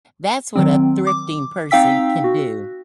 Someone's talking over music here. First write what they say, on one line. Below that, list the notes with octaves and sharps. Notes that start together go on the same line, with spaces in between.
That's what a thrifting person can do.
D#3 F#3 C4
D6
C4 D#4 F5 G5 E6 B6
F#4